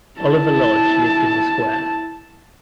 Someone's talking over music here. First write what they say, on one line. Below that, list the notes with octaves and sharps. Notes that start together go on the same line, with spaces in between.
Oliver Lodge lived in the square.
E4 A5